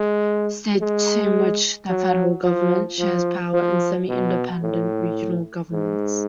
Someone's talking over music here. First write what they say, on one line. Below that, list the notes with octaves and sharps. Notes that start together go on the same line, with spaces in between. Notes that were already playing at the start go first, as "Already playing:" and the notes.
States in which the federal government shares power with semi-independent regional governments.
Already playing: G#3
G#3
F#3
F3
F3
F3
B2
A2
G#2